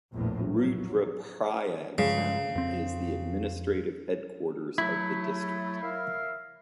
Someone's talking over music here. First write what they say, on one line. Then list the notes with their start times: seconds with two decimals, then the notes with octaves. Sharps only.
Rudraprayag town is the administrative headquarters of the district.
0.14 A#1 E2 A2
0.54 F#3
1.98 G2 C#3 F3 G#3
2.55 F2 C4
4.78 F#3 A3 E4
5.82 A#4 E5 F5